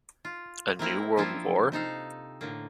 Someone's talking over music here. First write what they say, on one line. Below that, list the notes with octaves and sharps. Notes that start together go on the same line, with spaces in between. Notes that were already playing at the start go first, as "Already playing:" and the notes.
A New World War?
F4
A#3 C4 E4 A#4
F3 A#3 D4 E4 F4
C3 D#4 A4 F5
A2 D3 A#3